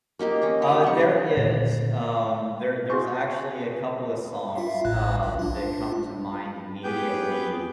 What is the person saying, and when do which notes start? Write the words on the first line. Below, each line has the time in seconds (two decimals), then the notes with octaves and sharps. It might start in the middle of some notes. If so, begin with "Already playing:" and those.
Uh, there is, um, there there's actually a couple of songs, um, that come to mind immediately
0.19 A#3 D#4 G4 F5
0.42 C#4 A#5
0.62 G4
0.84 G3 C#6
1.37 A#2 D3 D#3 A3
2.90 F#4 G#4 C5 C6 C#6
4.55 F4 E5 F5
4.85 A1 A2 F#6
5.23 B1
5.39 D4 F4
6.84 B3 G4 G#4 B4 G5 G6